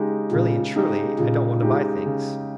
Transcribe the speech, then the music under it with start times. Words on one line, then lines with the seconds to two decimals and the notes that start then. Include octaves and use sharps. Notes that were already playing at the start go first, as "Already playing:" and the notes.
Really and truly, I don't want to buy things.
Already playing: C#3 G#3 D#4 G4
0.32 A#2 C#3
0.75 G#3 D#4 G4
1.18 A#2 C#3
1.62 G#3 D#4 G4
2.06 C#3